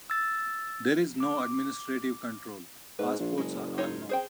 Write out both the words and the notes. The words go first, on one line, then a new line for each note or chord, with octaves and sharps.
There is no administrative control; passports are unknown.
E6 A6
D6
G#2 B4
A#1
F#1 G#3
D#4 F4 C#5
G#4 C5 G5